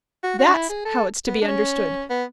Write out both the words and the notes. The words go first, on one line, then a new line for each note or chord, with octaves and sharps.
That's how it's to be understood!
F#4
F#4
D4
E4
G#4
A4
B3
D4
C#4
B3